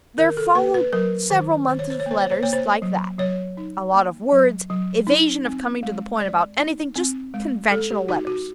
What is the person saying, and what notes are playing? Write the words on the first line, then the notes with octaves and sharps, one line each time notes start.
There followed several months of letters like that: a lot of words, evasion of coming to the point about anything; just conventional letters.
D#3 A#4
A4
A#3 B4
B4
F#3 A#4
D#3 C5
D#3 C5
C#5
C5
C#5
A#3 C5
C#5
C5
A#3 C#5
C5
F#3
F#3 C#5
D#4
A#3
F#3
F#3
D#4
C4
G#3
G#3 D5
D#4
C4
G#3
G#3 A4
G4
D#4 F#4
F#4